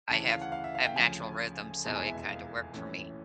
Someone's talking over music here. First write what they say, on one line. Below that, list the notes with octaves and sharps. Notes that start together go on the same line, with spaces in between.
I have I have natural rhythm, so it kinda worked for me.
D2 C#3 E3 A5
F5
F#5
F5
E5
F5
G5
D2 C#3 F3 G#5
F1 E2 B2 G#3 A5
G#5
E5
E5
F5
A#1 A2 E3 A3 C#4